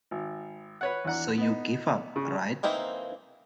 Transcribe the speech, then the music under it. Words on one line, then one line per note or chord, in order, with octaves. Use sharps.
So you give up, right?
G#1
B4 C#5 F#5
E2 D4 F#5 A#5
B3 D#4
C#3
E3 A#3 C4 D#4 E4